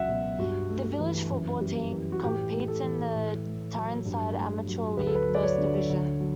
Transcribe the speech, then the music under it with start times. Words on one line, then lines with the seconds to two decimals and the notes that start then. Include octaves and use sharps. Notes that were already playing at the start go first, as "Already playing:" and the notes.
The village football team competes in the Tyneside Amateur League First Division.
Already playing: C#2 F#3 E5 F#5
0.08 B2
0.39 G2 F#4
0.70 A3
1.00 E3
1.31 F#2
1.61 G3
1.92 E3
2.12 F#4
2.23 A2 G4
2.53 A3
2.68 A4
2.83 E3
3.14 A2
3.45 A3
3.75 F#3
4.05 G2
4.36 A3
4.67 F#3
4.97 D2 B4
5.07 A4
5.15 B4
5.29 F#3
5.34 D5
5.43 C#5
5.58 D3
5.89 D2
6.20 F#3